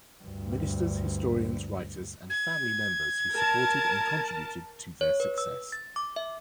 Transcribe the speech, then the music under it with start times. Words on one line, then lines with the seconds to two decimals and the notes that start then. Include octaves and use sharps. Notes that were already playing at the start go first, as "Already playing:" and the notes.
Ministers, historians, writers, and family members who supported and contributed to their success.
0.24 D2 G2
2.30 G#6
3.33 A#4 A5
5.01 C#5
5.20 B4
5.38 E6
5.72 A6
5.96 D6
6.16 E5